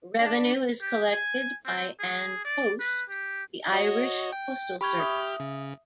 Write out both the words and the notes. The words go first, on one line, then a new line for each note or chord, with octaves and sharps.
Revenue is collected by An Post, the Irish postal service.
D4
G4
G#5
C4
G#4
D5
B4
G4
F#4 C#5 D#5
G5
G4 B5 C#6 F6 G6 G#6
E5 D#6
C#3